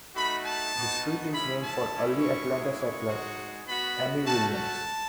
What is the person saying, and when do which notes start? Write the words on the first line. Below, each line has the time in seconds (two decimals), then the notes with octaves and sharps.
The street is named for early Atlanta settler Ammi Williams.
0.15 A3 D#4 F#4 B5
0.45 A5
0.74 B3 D#4 F#4
1.32 G#3 C#4 E4 B5
1.62 A5
1.91 G#3 C#4 E4
2.20 C#6
2.49 G#3 B3 E4
2.79 C#6
3.08 G#3 D#4 F#4
3.66 B3 F#4 B5
4.25 A3 C#4 F#4 A5
4.54 A5